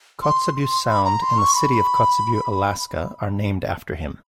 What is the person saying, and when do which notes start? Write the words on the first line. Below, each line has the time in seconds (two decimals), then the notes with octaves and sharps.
Kotzebue Sound and the city of Kotzebue, Alaska are named after him.
0.22 C6
0.56 C6
0.89 B5
1.05 A#5
1.22 C6
1.39 C#6
1.55 B5